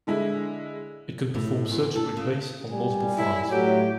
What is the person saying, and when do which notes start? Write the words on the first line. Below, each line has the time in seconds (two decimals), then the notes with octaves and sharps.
It can perform search and replace on multiple files.
0.07 D3 G#3 E4
1.35 A2
1.70 E2
1.96 A4
2.17 C#3
2.71 G3 G#5
3.17 E4
3.50 A2 F#3 G4